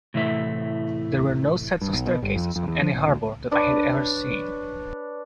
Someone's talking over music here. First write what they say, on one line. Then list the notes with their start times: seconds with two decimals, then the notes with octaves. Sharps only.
There were no sets of staircases on any harbour that I had ever seen.
0.14 A2 C3 E3 A3 E5
1.81 G2
1.93 B1
2.06 B2
2.23 G1
2.36 F2
2.56 F2
2.68 E2
2.81 F3
2.94 A1
3.08 D2
3.51 D4 B4 C#5